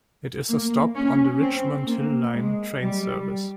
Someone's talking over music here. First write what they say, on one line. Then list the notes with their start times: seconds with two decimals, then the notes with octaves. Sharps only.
It is a stop on the Richmond Hill line train service.
0.49 A#3
0.95 C#4
1.40 C4
1.86 A#3
2.33 G#3
2.79 G3